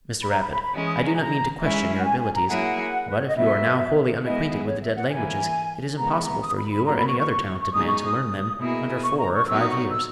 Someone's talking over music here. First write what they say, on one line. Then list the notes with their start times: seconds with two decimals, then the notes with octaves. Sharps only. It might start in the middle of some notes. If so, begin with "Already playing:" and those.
"Mr. Rapid, I do not mean to question your abilities; but if you are now wholly unacquainted with the dead languages, it is impossible for you or any other talented man to learn them under four or five years."
0.22 B5
0.30 A#5
0.41 B5
0.52 B5
0.63 B5
0.74 E3 G#3 C#4
0.85 D#6
0.96 B5
1.06 A#5
1.15 G#5
1.22 A#5
1.61 G#3 C#4 E4 G#4 E5
1.99 F#5
2.05 G#5
2.20 G#5
2.35 A#5
2.48 F#3 A#3 E4 G#4 F#5
3.09 B4
3.18 C#5
3.27 D#5
3.36 B2 F#3 B3 E5
4.24 G#3 B3 E4 G#4 D#5
4.67 C#5
4.82 E5
4.96 F#5
5.11 E3 A#3 E4 G#5
5.98 D#3 G#3 B3 E4 A#5
6.11 B5
6.25 A#5
6.42 D#6
6.57 B5
6.71 B5
6.85 A#2 F#3 A#3 A#5
6.97 B5
7.08 C#6
7.19 C#6
7.62 C#6
7.73 B2 G#3 D#4 G#4 D#6
7.88 C#6
8.02 D#6
8.60 B2 A#3 E4 G#4
9.04 C#6
9.19 A#5
9.33 C#6
9.47 F#3 B3 D#4 F#4 E6
9.59 D#6
9.69 C#6
9.92 E6